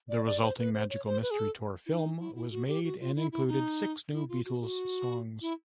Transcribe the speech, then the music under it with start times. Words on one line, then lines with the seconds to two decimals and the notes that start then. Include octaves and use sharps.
The resulting "Magical Mystery Tour" film was made and included six new Beatles songs.
0.09 D5
0.26 D5
0.42 C5
0.58 B4
0.74 C5
0.90 C#5
1.06 C5
1.22 B4
1.31 G#4
1.39 A4
1.86 E4
1.90 D#4
2.20 E4
2.35 E4
2.51 F#4
2.68 G4
2.84 F#4
3.00 F4
3.15 E4
3.32 E4
3.48 D#4
4.13 E4
4.29 F4
4.45 F#4
4.61 G4
4.65 F#4
5.42 E4